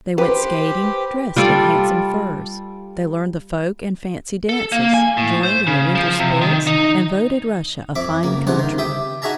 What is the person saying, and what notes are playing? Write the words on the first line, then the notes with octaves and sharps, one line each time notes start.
They went skating, dressed in handsome furs; they learned the folk and fancy dances, joined in the winter sports, and voted Russia a fine country.
G4 B4 C5
G3 F4 A4 D5
A4
A#3
G#5
A2
C5
C#3
F3
C3
D#3
D#4
F2 E5 D6
C#2 A#3
C#2 G2 C3 C5 F#5
D#3
G4 E5 G5 D#6
D#4 F#4 G#4 E5 A5 A#5